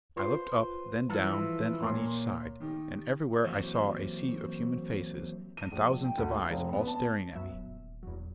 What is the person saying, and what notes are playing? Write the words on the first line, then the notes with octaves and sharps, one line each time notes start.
I looked up, then down, then on each side, and everywhere I saw a sea of human faces, and thousands of eyes all staring at me.
F4 B4 C5
E3 F3 G3 F4 A4
A#2 C#5 A#5 C6
D#3 D#4 G4
E3 F#3 A#3 C4 F#4 G4
D#7
A#1
G5
D2
F5
F1
B3
A5
F#2 F#3 B3 E5
D#1
E2 F#3